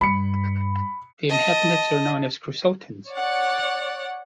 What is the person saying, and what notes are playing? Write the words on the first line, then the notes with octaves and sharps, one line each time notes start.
The inhabitants are known as Creusotins.
G2 B5 C#7
D#5 A5
C#5 D5 F#5